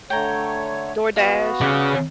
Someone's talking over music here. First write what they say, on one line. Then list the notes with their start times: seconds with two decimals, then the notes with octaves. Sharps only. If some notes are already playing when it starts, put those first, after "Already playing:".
DoorDash an
0.10 D3 A3 C#5 G5 A#5
1.16 B3 F#4 F5
1.61 C#3 D5 F5 F#5